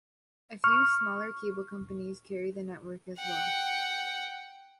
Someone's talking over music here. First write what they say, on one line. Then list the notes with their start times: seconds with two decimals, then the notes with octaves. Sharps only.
A few smaller cable companies carry the network as well.
0.64 C#6 F6
3.19 F#5 G5